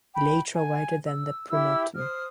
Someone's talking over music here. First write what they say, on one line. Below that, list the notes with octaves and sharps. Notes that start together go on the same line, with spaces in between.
Elytra wider than the pronotum.
G5 B5
G#5
E6
E4 G4 E6
C5 D#6 F6